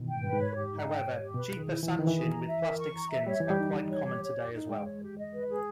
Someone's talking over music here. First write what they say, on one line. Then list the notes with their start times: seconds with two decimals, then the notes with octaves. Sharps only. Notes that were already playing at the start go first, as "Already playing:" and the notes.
However, cheaper sanshin with plastic skins are quite common today as well.
Already playing: B2 D#3 E3
0.08 G5
0.15 G#2
0.23 G2 B4
0.32 G#2
0.40 C#5
0.56 G4
0.72 D#4
0.88 G5
1.04 C#5
1.20 G4
1.35 B2 B4
1.51 G#4
1.59 D#3
1.67 E4
1.83 E3 E4
1.99 D#3 B4
2.07 E3
2.15 G#4
2.30 A#5
2.47 E5
2.62 A#4
2.79 C#6
2.95 A#5
3.11 E5
3.26 G3 C#5
3.40 E3 G4
3.50 G3
3.58 D#4
3.74 D#4
3.90 C#5
4.06 G4
4.23 C#5
4.38 G4
4.54 D#4
4.69 G#3 G5
4.85 C#5
5.01 G4
5.18 D#5
5.34 B4
5.49 G#4